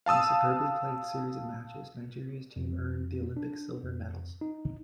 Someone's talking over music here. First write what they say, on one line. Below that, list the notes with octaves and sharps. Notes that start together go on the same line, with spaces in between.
In a superbly played series of matches, Nigeria's team earned the Olympic Silver Medals.
F5 A5 D#6 E6
F2
D4
F2
D#4